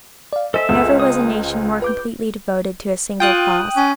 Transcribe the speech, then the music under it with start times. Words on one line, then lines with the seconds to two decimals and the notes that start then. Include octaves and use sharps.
Never was a nation more completely devoted to a single cause.
0.33 D5 F5
0.54 A4 C5 D#5 E5 G#5
0.69 C#2
1.00 D#6
1.82 B4 D6 G6
3.20 F4 G5 D#6 F#6
3.76 C#4